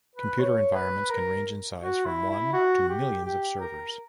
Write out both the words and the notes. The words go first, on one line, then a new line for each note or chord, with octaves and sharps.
Computer environments can range in size from one to millions of servers.
B4
C#5
B4
A#4
F#4
E4
E4
F#4
G4
G4
A#4